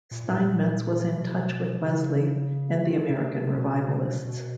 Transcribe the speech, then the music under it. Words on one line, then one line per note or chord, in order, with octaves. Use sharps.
Steinmetz was in touch with Wesley and the American revivalists.
A#2
A2
A#2
B2
C#3
D#3
D3
C3
B2
B2